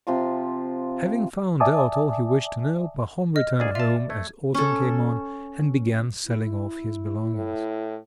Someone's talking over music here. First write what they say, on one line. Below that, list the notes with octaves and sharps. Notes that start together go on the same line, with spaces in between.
Having found out all he wished to know, Pahom returned home as autumn came on, and began selling off his belongings.
C3 F3 F4 C6
D5 E5 G#5 A5 D6 D#6
D#5 F6
D2 G#4 D5
F4 E5 A5
A3 G#6
C#4 A4
E4
A2